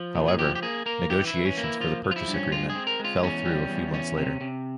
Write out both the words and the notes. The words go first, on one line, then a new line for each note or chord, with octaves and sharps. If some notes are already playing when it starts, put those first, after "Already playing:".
However, negotiations for the purchase agreement fell through a few months later.
Already playing: F3
A#2
G#4
F3 G4
G4
A#3 G#4
A#3 A#4
E3 G4
E4
E3
C#4
A#3
E4
F3 F4
F3
F4
E4
G2
C#4
G#3 F4
G#4
C4
A#4
G#3 F4
E2 C#4
G3
E2
C#4
C3
C3